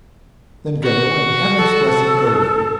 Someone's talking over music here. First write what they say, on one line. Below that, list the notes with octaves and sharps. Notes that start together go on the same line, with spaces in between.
Then go, and Heaven's blessing go with you.'
F#4
A4